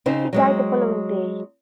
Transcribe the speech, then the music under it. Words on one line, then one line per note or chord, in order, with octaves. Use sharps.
He died the following day.
C#3 C4 D#4 C5
F#3 G#3 C4